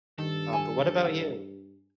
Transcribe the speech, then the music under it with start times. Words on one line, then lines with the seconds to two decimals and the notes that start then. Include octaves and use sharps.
Um, but what about you?
0.18 G2 D#3 A4
0.53 G#5